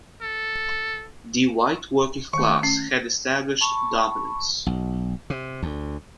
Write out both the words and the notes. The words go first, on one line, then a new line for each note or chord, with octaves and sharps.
The white working class had established dominance.
A4
D#3 A3 C#6
C#4 C7
A5 B5 C#6
B1
C3
D2